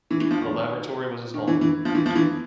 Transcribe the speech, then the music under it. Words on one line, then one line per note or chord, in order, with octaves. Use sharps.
The laboratory was his home.
E3
E3
F3
D#3
D#3
E3
E3
F3
E3
F3
E3